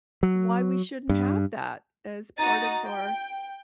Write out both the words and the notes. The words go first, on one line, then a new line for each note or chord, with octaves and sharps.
why we shouldn't have that as part of our,
F#3
G2
D#4 F#4 A#5 D#6 A6
G5